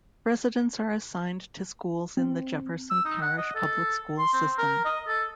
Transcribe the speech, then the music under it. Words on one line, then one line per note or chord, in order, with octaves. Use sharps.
Residents are assigned to schools in the Jefferson Parish Public Schools system.
C4
E6
D#4
F#5
D#5
A4
C6
C4
A#4
D#5
A4